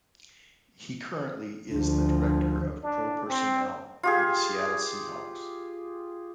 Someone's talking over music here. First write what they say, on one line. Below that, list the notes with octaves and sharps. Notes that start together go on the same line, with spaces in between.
He currently is the Director of Pro Personnel for the Seattle Seahawks.
D2 F3 D4
D4
C4
F4 G4 G#4